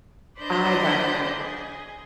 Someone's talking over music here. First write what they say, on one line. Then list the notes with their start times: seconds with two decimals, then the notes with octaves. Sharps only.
I gotcha.
0.39 D4 B4 C5 D5 D#5 G6
1.37 G#4